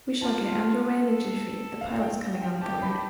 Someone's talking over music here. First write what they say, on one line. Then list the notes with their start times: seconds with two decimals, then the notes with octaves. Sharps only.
We shall get underway in a jiffy, the pilot's coming on board.
0.21 F4 A5
1.02 A4
1.81 F5
2.01 G5
2.42 G5
2.61 G4 A5
2.82 B5